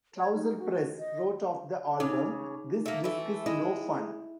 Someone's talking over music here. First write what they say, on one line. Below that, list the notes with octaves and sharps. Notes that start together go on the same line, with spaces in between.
"Trouser Press" wrote of the album: "This disc is no fun".
C#5
D#4
F#4
D#5
C#3 D#4
A3 A#3
E3 A3
G#3 E4